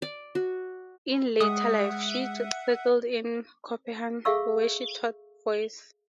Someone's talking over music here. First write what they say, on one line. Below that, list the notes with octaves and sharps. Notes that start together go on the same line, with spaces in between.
In later life she settled in Copenhagen where she taught voice.
D5
F#4
G#3 E5 F#5 D#6
G#4 A4 E5 F5 C#6 E6